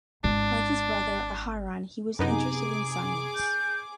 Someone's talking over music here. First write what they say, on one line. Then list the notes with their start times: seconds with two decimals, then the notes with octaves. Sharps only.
Like his brother, Aharon, he was interested in science.
0.24 G#1 D4
2.19 F#2 C3 B3 D#4 G#4 A#5 D6
3.35 G6